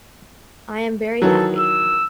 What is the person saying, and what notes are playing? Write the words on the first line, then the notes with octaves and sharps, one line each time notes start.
I am very happy.
D#3 E3 F#3 A4
E6